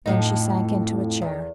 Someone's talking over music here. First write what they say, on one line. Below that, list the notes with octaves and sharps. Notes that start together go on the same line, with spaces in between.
Then she sank into a chair.
F2 A2 D#4
E2